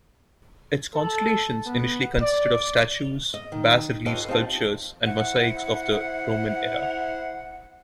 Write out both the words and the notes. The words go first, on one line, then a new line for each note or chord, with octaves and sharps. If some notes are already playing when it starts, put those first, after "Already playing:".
Its collections initially consisted of statues, bas-relief sculptures and mosaics of the Roman era.
A4
B3
D5
D#5
D#3
F4 G4 A4 B4 C#5 D#5
C4 D#4 F4 G4 F5 A5
E4 C5 F#5